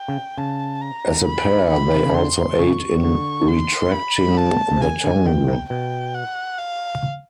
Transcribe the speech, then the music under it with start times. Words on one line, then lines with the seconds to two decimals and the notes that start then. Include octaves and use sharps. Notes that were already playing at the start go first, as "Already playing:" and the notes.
As a pair they also aid in retracting the tongue.
Already playing: G5
0.08 C#3
0.38 C#3 A5
0.81 A#5
1.26 B5
1.70 B5
1.94 C3
2.05 C#3
2.15 D3 C6
2.59 C#3 C#6
3.03 D3 C#6
3.48 C6
3.92 B5
4.37 A5
4.76 C3
4.81 C#3 G#5
5.04 D3
5.25 D#3 G5
5.48 C3
5.70 B2 G5
6.14 F#5
6.59 F5